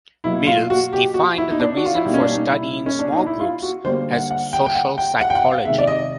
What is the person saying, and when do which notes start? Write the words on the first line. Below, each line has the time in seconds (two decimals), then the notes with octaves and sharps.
Mills defined the reason for studying small groups as social psychology.
0.24 B2 F#3 A#3 E4
0.47 F4
0.70 F#4
0.93 G4
1.14 F#4
1.38 E4
1.50 D#4
1.60 D4
1.77 F#4
1.85 F4
1.95 E4
2.05 B2 G3 A#3 D#4
2.14 C#4
2.20 D4
2.35 D#4
2.50 E4
2.86 C#4
2.99 D4
3.12 D#4
3.26 E4
3.40 F4
3.62 F#4
3.84 D3 G3 A#3 C5
4.16 F#5
4.30 F#5
4.53 G5
4.66 G5
4.75 F#5
4.98 G5
5.21 F#5
5.30 G5
5.35 F#5
5.51 F5
5.65 C3 D#3 G#3 E5
5.78 D5
5.87 D#5